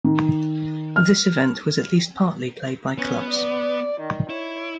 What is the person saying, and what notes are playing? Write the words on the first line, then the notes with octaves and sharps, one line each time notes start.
This event was at least partly played by clubs.
D#3
F6
B3 C#4
D5
D#3
E4 C#5